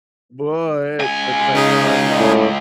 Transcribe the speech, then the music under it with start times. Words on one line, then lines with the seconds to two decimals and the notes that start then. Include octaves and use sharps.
But at the same time, like
1.00 C#2 G#5
1.55 C#3 D#4 G#4
2.19 A2